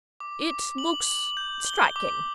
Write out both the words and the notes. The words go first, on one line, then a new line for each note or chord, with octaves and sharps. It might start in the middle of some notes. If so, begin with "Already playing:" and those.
"It looks--striking."
D6
D6
F#7
F#7
G6
G7
D6